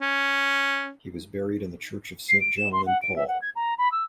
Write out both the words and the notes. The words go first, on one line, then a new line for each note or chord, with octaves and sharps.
He was buried in the Church of Saint John and Paul.
C#4
C7
D7
E7
C6
F#5
D7
E5
F#5
G#6
A#5
B5
E6